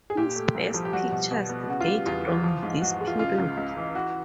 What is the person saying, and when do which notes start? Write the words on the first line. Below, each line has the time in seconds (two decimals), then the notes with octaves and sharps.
His best pictures date from this period.
0.10 G#4
0.17 A#2 G4
0.36 A3
0.55 C2
0.74 F3
0.85 G4
0.93 G3 F#4
1.12 B2
1.31 B2
1.49 B3
1.69 C#3 F#4
1.81 F4
1.87 G3
2.06 E2 F4
2.25 E3
2.44 F3
2.63 G#2
2.81 G#2 F#4
2.94 F#4
3.01 G#3
3.07 F4
3.19 C#3 F4
3.38 C#2
3.57 C#2
3.77 E3
3.95 E3 F#4